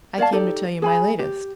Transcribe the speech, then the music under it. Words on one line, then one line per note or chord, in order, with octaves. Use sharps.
I came to tell you my latest.
C#5 D5 F5 A5
D#4 G4 A4 D5
G#4 G#5 B5
G4